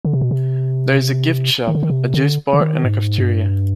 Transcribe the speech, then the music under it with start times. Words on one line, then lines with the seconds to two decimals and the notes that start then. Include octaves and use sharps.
There is a gift shop, a juice bar and a cafeteria.
0.05 D3
0.13 C3
0.21 B2
0.31 C3
1.67 D#3
1.75 D3
1.83 D#3
1.90 C3
2.14 D3
2.53 D3
2.61 D#3
2.84 G#2
3.18 G2